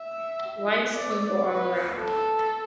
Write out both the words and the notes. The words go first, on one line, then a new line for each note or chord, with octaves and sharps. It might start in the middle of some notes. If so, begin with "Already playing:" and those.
Lights twinkle all around.
Already playing: E5
D5
B4
A4